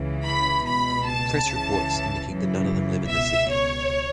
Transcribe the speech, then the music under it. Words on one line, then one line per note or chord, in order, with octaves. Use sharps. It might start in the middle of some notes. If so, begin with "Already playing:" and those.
Press reports indicate that none of them live in the city.
Already playing: C#2 C#3 E3
B5
C#2 B2 B5
A5
C#2 C#3 E3
F#2 C#3 E3
C#2 B2 E5
C#5